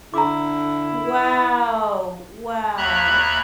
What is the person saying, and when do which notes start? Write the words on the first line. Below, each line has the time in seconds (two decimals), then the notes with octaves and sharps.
Wow. Wow.
0.14 D3 E4 A#5 D6
2.77 D#2 E5 A#5 B5 F#6